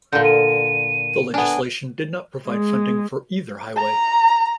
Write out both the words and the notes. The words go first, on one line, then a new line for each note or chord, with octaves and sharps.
The legislation did not provide funding for either highway.
A#2 D3 G6
D#7
B3 D4 G#5
G#3
A#5